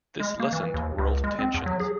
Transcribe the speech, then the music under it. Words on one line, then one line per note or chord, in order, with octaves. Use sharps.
This lessened world tensions.
G#3
A#3
E3
D#2
C#2
G#3
C4
E2
F#3
G#4